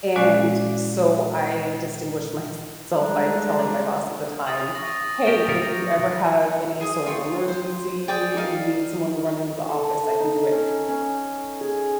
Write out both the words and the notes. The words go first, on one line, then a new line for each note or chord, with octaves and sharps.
and so I distinguished myself by telling my boss at the time, "Hey, if you ever have any sort of emergency, you need someone to run into the office, I can do it."
A#2 G#3 C#4 F#4 D5
G3 G#3 D4 A#5
D#6 A6 F#7
C#6 A#6
G4 A#4 G5
F4 G4 A#4 C#7
G#4 G#5 D#6
F4 G4 C#5 C6
C5
G#4 D5 G5
D#4 D5 F5
A4
D#4
C#4
C#4
G#4